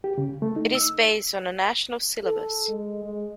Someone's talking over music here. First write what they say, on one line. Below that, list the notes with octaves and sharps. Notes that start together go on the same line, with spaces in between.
It is based on a national syllabus.
G4
C#3
A3
D#4
E6
A4
G#3
G#3